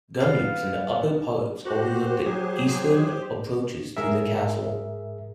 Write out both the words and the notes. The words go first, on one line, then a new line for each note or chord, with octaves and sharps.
Gunloops in the upper parts overlook the eastern approaches to the castle.
B3 F5
F#4 G4 C5
F#3 G#4
G#2 G#4 A#4 E5